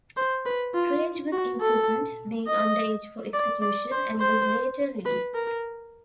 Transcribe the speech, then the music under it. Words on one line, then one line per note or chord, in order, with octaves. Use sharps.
Craig was imprisoned, being under-age for execution, and was later released.
C5
B4
F4
F#4
A4
D#5
D5
D5
C5
C5
B4
A#4